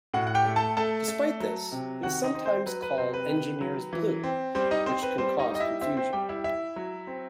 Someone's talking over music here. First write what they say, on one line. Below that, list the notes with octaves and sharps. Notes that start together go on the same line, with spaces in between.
Despite this, it is sometimes called engineer's blue, which can cause confusion.
A2 F#4 F#5
F#5
G4 G5
A3
A4 A5
A3 A4 A5
A3
F#3
C3
D#3 F#4 F#5
D#4 D#5
C4
C4 C5
F#3 B4
B4
C3 C4 C5
B4
D#3
F#3
E3
C4
G3 C4 C5
D#4 D#5
C4 C5
B4
G3 C4 C5
D#4 D#5
G3 D#5
E4 E5
C4 E4 E5
C4 C5
G3 G4 G5
E4 E5
E4 E5
F#3
C4